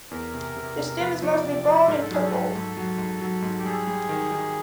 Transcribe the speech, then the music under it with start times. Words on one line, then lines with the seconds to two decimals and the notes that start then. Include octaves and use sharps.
The stem is mostly bald and purple.
0.11 E2 A#4
0.34 C3
0.57 C3
0.78 C3
1.00 F3 B4
1.22 F3 C#5
1.33 D5
1.44 C3
1.66 F3
1.88 G#2 A#4
2.01 A4
2.11 F#3 G#4
2.25 A4
2.32 G#2
2.55 G#2
2.77 F#3
2.98 G#2
3.21 F#3
3.42 G#2
3.59 G4
3.64 G3 G#4
3.87 G3
4.09 D#3
4.32 D#3